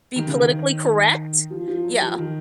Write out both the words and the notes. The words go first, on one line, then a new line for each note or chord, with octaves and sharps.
Be politically correct? Yeah.
D#3
C#3
D#3
F3
F3
F#3
F3
D#3